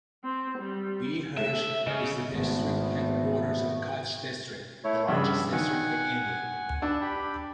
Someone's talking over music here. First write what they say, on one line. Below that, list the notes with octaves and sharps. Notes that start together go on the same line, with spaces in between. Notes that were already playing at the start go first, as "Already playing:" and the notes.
Bhuj is the district headquarters of Kutch District, the largest district in India.
C4
G3
A3 E5
C#3 D#5
G#1 A3 B3
A3 E4 C#5
G2 C#3 B5 E6
D#3 F#5 G#5
D4 B4 D5 E6
G4 G5 B5